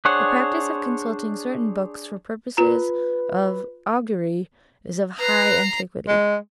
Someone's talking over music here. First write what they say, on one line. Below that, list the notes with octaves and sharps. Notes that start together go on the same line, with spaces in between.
The practice of consulting certain books for purposes of augury is of high antiquity.
D4 G#4 C5 C#5 F#5
F4 B4 A#5
B4 A#5 C7
G#3